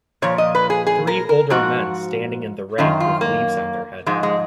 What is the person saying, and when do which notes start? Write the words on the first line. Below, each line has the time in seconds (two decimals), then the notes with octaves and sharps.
Three older men standing in the rain with leaves on their head.
0.22 A#2 F3 C#5
0.38 D#5
0.55 B4
0.70 G#4
0.87 G#4
1.07 A#4
1.29 A#4
1.50 G#2 F3 F#4
2.78 F#2 D#3 F4
3.00 F4
3.21 A#3
4.06 G#2 F3 G#3
4.23 G#3